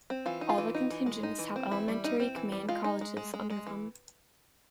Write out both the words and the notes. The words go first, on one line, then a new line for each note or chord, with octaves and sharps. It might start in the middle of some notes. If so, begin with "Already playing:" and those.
All the contingents have elementary command colleges under them.
C4
E3 F4
D#4
F4
E3
D#4
E3
G#3
D#4
E3
C4
E3 E4
G3
D#4
C4
E3
G3
G#3 F4
D#4
G#3
G#3
G#3
G#3
E3